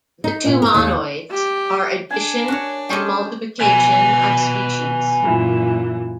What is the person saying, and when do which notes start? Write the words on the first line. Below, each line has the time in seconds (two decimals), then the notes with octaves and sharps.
The two monoids are addition and multiplication of species.
0.24 D#4
0.45 A#2
0.62 A#4
0.74 D#2
1.31 G4
2.11 D4 G#5
2.48 F#4 A#4 C#5
2.89 G#3 C#4 D#4 G4 A4 D#5
3.60 B2 B4 G#5
5.21 F#2 A#2 E3